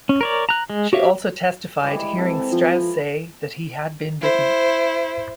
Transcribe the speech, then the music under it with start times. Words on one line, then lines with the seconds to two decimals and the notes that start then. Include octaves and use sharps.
She also testified hearing Strauss say that he had been bitten.
0.09 C#4
0.21 A#4 C#5 D5
0.49 A#5 F#6
0.70 G#3
0.93 F#4 G4 C#5 E5 F5
1.83 G#2 E3 G3
2.18 C4 A4
2.52 F3
4.21 E4 C5